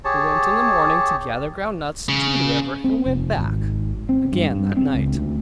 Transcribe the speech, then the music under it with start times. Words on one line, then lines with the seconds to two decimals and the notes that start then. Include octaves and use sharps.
We went in the morning to gather ground nuts, to the river, and went back again that night.
0.05 G4 G#4 C#5 A5
2.09 C#3
2.84 C4
3.06 F1
3.37 G#1
4.09 C4
4.32 G2
4.50 G2
4.77 C4
4.95 C#2
5.14 D2